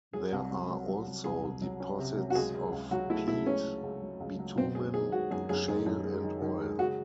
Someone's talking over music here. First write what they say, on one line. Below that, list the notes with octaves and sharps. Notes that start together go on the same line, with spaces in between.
There are also deposits of peat, bitumen, shale and oil.
F#3 G#4
C2
C2
F#3
F#3
C2
C2 G#4
C2
F#3
C#4
C3
F#3
F#4
C#2 G#4
C#3
C#2
F#3 F#4
A3 E4
A3 E4
C#2 C#4
C#3
C#2
F#3
C#2
F#3
F#2 C4
G#3 G#4
D#3 G#4
G#3 F#4
F#2 G#4
F#2 G#4
D#3 G#4
F#2
G#3
D#3
D#3
G#3
C#3 F#4